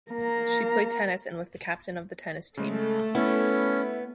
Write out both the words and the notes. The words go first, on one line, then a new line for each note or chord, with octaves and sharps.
She played tennis and was captain of the tennis team.
A#3 A#5
C#3 G#3 A3 A4
B3 C#4 E4